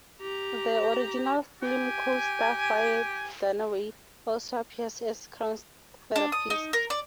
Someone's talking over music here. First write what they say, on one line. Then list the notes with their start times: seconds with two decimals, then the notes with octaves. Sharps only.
The original film's co-star Faye Dunaway also appears as Crown's therapist.
0.21 G4 A#5
1.62 G4 G#5
6.16 D4
6.32 D#6
6.50 D#4
6.73 A#4
6.90 D5